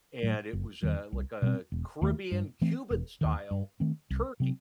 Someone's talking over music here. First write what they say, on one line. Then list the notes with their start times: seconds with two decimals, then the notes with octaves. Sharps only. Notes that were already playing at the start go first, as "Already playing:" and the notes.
and it was, uh, like a Caribbean-Cuban style turkey
0.23 A2 F#3 A3
0.53 F#1
0.83 E2 D#3 G3
1.12 C2
1.42 B2 G3 C4
1.72 E1
2.01 D#2 D#3 A3
2.32 G2
2.62 E3 A3 C4
2.91 E1
3.21 D#2 D#3
3.51 G2
3.80 D#3 A3 C4
4.10 C2
4.40 C3 F#3 C4